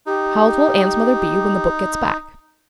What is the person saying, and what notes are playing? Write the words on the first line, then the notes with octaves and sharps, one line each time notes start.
How old will Ann's mother be when the book gets back?
D#4 G4